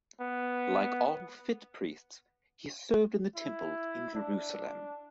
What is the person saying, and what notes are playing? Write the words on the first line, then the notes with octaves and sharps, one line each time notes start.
Like all fit priests, he served in the Temple in Jerusalem.
B3
E4
D4